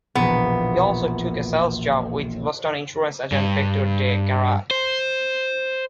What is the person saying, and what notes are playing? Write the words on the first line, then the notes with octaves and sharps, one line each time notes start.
He also took a sales job with Boston insurance agent Victor De Gerard.
E1 A#1 B3 B4
G2
C5